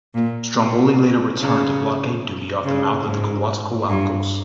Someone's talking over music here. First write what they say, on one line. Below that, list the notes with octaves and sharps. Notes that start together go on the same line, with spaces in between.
"Stromboli" later returned to blockade duty off the mouth of the Coatzacoalcos.
A#2
B2
C#3
C#3
G#2
G2